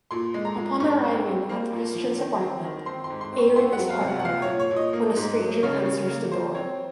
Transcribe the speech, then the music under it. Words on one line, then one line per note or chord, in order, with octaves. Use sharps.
Upon arriving at Christian's apartment, Aaron is heartbroken when a stranger answers the door.
A#2 C6
G#3
A#5
A#2
G#2 C#6
C4
C4
A#3
A#2
F3
D#3
C4
D#3
C4 C6
C6
G#2
C6
C4
C#6
C4 C6
F#5
F#3
F5
C3
F#5
F#5
A#2 F5
C#5
A#2
C#5
A#2
D#5
A#3
G#2
F#3
C#3 C#5
C#3
A#3
F3 C5
C4 C#5